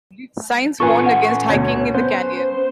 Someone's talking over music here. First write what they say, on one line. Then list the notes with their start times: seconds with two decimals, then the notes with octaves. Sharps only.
Signs warn against hiking in the canyon.
0.80 C#4 F4 A4 B4 G#5 C#6
1.06 F#5
1.49 D2 B2 C#5
1.94 B3 C5